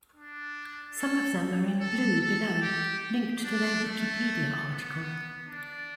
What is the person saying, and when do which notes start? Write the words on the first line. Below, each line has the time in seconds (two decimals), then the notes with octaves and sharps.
Some of them are in blue below, linked to their Wikipedia article.
0.16 D4
0.98 A4
1.80 A4
2.21 A4
2.62 G4
3.44 D4
3.85 A3
4.67 B3
5.48 D4